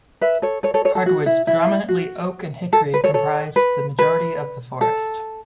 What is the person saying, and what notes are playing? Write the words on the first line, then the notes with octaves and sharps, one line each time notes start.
Hardwoods, predominantly oak and hickory, comprise the majority of the forest.
B4 E5
A4 C#5
A4 C#5
A4 C#5
A4 C#5
A4
F#4
E4
E4
F#4
A4
B4
A4 C#5
A4 C#5
B4
B4
A4